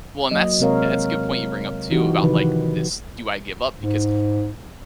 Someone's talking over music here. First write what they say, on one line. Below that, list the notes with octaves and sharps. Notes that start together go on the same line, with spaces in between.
Well, and that's that's a good point you bring up, too, about like this "Do I give up?" Because
F#3 A#3 D#5
C3 G#3 C4 A#4 C#5 F5
E3 D#4 F#4 G4
C3 D#3 F3 B4
G#2